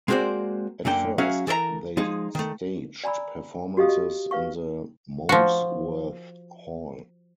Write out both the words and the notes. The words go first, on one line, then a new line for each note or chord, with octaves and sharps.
At first, they staged performances in the Molesworth Hall.
G#3 A#3 C4 F#4 C5 D5
F#2 D3 A#3 G5
F#3 C#4 F#4 G#4 E5 F5
E3 A4 A#4 C#5 A#5
F3 G#3 D#4 G#4
D#3 A3
D5 G#5 A#5 B5 E6
F#4 G4 D#5 F5 D#6
D#5
B4 F5 C#6
F3 F#4